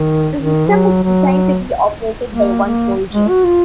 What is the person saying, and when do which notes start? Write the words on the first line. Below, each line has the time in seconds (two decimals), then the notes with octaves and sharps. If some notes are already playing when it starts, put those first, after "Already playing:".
The system is designed to be operated by one soldier.
Already playing: D#3
0.38 D#3
0.70 F#3
1.02 F#3
2.31 A#3
2.64 A#3
3.13 G#3
3.29 F#4
3.44 F4